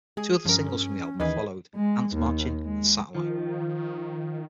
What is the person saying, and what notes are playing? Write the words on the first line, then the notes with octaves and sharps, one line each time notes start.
Two other singles from the album followed, "Ants Marching" and "Satellite".
G#3 G#4
G2 F3 C#4 A#4
D#2 D#3 E3 G#4 B4 D#5
G#3
D#2
G#3
D#3 F3